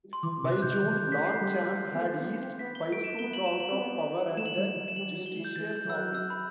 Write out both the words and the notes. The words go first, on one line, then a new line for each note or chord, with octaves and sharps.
By June, Longchamp had eased Puiset out of power and the justiciar's office.
C6
E3 D6
C3
F#6
C3 G6
F#6
E3 G6
G6
E3
B6
C7
G3
B3
A3
B3
C4
B3 B6
G7
A3 D7
E7
B3 G7
F#7
E7
F#7
C4
B3
A3 E7
F#7
G3 E7
F#3
E7
G3 F#7
F#3
G7
E3
G6
E3 A6
G6
F#3 E6
F#6
E6
B5